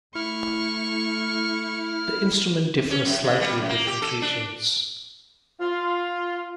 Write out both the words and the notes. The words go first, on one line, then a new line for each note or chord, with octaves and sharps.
The instrument differs slightly in different regions.
A3 E4 C#6 F6
C#4
F#2
A2
G3
F#2
A#3
G4
A4
D4
F4